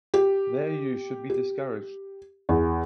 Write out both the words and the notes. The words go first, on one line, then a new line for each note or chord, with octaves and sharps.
Their use should be discouraged.
G4
G4
E2